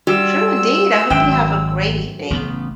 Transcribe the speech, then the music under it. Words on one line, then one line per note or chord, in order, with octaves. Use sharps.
True indeed, I hope you have a great evening.
G3 F#4 E6
G#1 F#2 G5
A1 C#3 B3